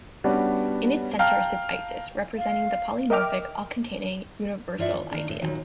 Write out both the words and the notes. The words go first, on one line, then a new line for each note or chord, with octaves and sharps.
In its centre sits Isis representing the polymorphic all-containing Universal Idea.
G3 B3 C#4 D4 F#4
F5 G5 A5 A#5 F6
F5
A#4 D#5 E5 G5 D6 F6
G2 E4 F4 D5 E5 F#5
D#2
D#3 A#3 D4
D#2 A2
D#2 A#2 D#3 F#3